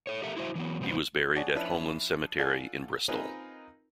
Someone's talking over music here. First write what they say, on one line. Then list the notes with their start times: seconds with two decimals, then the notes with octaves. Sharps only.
He was buried at Homeland Cemetery in Bristol.
0.07 A4 C#5
0.22 G4 A4 A#4 E5
0.37 E4 F#4 C5 E5
0.55 E3 F#3 B3
0.81 C3 F3 G3 B3 C4
1.36 G#4 C#5 D5 F#5 A5
1.55 F3 C#4 D4 E4 B4
2.38 F4 A4 D5 F5 F#5 G#5
3.08 C4 D#4 F4 G#4 A#4 B4